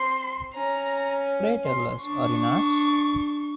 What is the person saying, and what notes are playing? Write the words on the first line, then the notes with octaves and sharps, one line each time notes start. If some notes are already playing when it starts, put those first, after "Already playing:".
Pray tell us, are you nuts?
Already playing: C4 C6
C#4 A#5
C6
D4 C#6